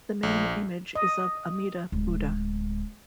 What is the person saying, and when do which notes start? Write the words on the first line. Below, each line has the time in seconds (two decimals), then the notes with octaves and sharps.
The main image is of Amida Buddha.
0.23 A#1
0.96 D#5
1.92 D1 G#3